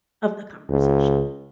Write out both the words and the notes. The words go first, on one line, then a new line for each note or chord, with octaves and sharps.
of the conversation.
C#2